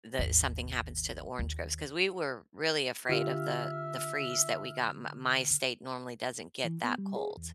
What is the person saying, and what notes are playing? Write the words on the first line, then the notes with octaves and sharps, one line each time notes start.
that something happens to the orange groves. 'Cause we were really afraid of the the freeze that we got. M my state normally doesn't get that cold.
G#1 D#2
D#2
D3 F4 G4 E5 F6
E3
B3
G3
G#4
E2